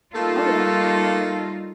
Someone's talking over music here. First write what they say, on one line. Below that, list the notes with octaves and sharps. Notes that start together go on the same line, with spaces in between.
Oh, yeah.
G3 A3 A#3 D#4 F4 A4